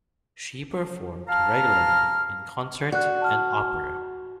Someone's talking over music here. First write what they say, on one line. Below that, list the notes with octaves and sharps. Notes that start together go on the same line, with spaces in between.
She performed regularly in concert and opera.
F5 A5 A#5 F6
F#4 D5 F#6
A5 F6